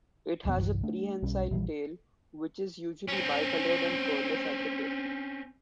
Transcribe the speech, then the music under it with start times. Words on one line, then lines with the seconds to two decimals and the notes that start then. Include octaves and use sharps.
It has a prehensile tail which is usually bicoloured and furless at the tip.
0.45 D#1 B1 F2 B3
0.57 G1 C2 G2 E3
0.83 A3 D4
1.22 B1 G3 C#4
1.51 A#1 E3 F3 G3
3.09 C4 C#4